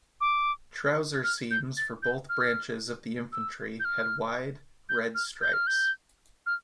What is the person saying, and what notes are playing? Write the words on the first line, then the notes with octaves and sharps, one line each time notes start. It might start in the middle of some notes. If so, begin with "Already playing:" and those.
Trouser seams for both branches of the infantry had wide red stripes.
D6
F6
G6
A6
G6
F6
E6
G6
F6
G6
F6
G6
F6
G6
F6